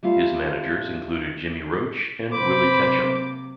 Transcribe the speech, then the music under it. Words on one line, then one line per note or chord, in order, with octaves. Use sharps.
His managers included Jimmy Roche and Willie Ketchum.
G3 A3 F4 F5
C3 F#3 A#3 B4 C5 B5 D6